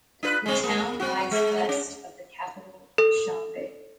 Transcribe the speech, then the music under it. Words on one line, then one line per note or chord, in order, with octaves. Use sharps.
The town lies west of the capital Dushanbe.
D4 F4 B4
G#3 C4
A#3
C4 F#4
G#3
C#4
A4